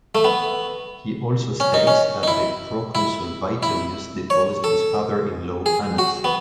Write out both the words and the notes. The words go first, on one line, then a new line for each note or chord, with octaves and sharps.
He also states that the proconsul Vitellius deposed his father in law, Annas.
A3
B3
C#4
D#4
C#4
D#4
E4
E4
E4
C#5
A4
G#4
F#4
B3